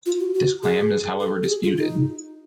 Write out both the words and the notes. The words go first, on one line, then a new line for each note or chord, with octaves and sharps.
This claim is however disputed.
F4
F#4
F#4
G#4
A4
G4
G#4
F4
D#4